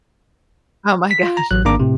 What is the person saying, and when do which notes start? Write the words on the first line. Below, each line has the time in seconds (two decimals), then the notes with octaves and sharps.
Oh my gosh,
1.11 B6
1.23 F4
1.37 A#5
1.51 A1 F#3 F#6
1.65 G#1 A#3 D4 A#5 D6
1.80 A2 C3